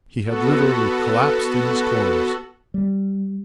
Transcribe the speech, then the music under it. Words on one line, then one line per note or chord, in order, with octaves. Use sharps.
He had literally collapsed in his clothes.
B3 F#4 A4
G3